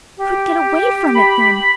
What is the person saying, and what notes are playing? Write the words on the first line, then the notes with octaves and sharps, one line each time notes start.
I couldn't get away from it then.
G4
B5